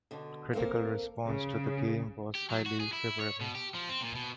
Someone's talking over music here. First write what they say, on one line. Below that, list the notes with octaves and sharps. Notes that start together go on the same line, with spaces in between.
Critical response to the game was highly favorable.
B2 D3
A#3 C4 A4 A#4 F5
C#3
G4
F#3
F#4
G#4
E4
C#5
B2
G4
F3
C4
A#2
B2